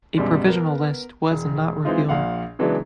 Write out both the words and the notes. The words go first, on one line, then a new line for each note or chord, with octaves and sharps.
A provisional list was not revealed.
F#2 B2 G3 G#3
B3 A#4
E1
E3 G#3 C4 D#4 F4
A#1 A#2 F5 F#5
C#3 E3 F#3 G#3 B3 D4